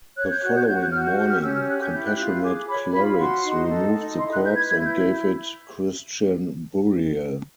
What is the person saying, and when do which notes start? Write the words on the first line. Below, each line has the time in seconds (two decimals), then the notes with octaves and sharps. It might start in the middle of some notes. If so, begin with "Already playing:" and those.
The following morning compassionate clerics removed the corpse and gave it Christian burial.
0.17 C#5 F#6
0.30 G6
0.42 F#4 F#6
0.56 G6
0.62 F#6
0.67 F#4 G6
0.80 F#6
0.92 F#4 F6
1.05 G6
1.18 G4 G6
1.30 F6
1.42 C#4 E6
1.55 F6
1.67 G4 F#6
1.80 G6
1.93 E4 G6
2.05 F#6
2.18 F4 F#6
2.42 G#4 D6
2.68 C#5 B5
2.93 F4 B5
3.18 F#4 C6
3.43 D#4
3.69 A4
3.94 D#4
4.19 E4 C6
4.31 F#6
4.43 B4 G6
4.56 G#6
4.69 E4 G#6
4.85 G6